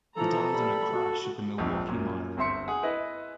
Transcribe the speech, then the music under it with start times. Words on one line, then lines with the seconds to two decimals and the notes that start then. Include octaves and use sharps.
He died in a crash at the Milwaukee Mile.
0.16 E3 F3 A4 A#5
0.50 G3 B5
0.92 F#4
1.58 A#1 F2
1.88 F#2 A#2
2.37 G1 C4 C5 E5 C6 C#7
2.68 G#4 F#5
2.83 E4 B4 D#5